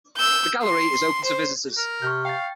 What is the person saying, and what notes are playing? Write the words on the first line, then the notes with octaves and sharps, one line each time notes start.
The gallery is open to visitors.
E6 G6
C6
C5
A#4
C3 C#6 F6 G6
F5 G5 A6